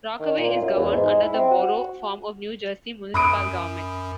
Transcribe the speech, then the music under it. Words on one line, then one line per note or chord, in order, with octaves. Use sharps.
Rockaway is governed under the Borough form of New Jersey municipal government.
D#3
A#2
F4
F#2
E2
G#2
G#3
E4
C4
F#4
F#2 B5 D#6 D7